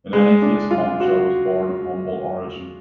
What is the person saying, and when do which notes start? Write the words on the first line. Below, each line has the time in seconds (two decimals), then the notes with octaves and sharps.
In any case, Momchil was born of humble origin.
0.13 G#3
0.42 D4
0.71 F4
1.00 F#4